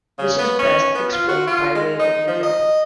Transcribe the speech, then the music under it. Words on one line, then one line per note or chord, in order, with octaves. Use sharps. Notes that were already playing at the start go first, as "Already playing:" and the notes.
This is best explained by way of an example.
C#3
B3
C#4
B3
F4
F#4
F4
G#3
D#4
F3
D#5